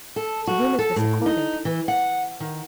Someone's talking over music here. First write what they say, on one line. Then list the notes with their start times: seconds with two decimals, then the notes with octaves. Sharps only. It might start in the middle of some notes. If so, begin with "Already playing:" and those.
To whom is this accorded?
0.16 A4
0.47 F#4
0.79 A4
0.96 A2
1.26 D#4
1.65 E3
1.88 F#5
2.40 D#3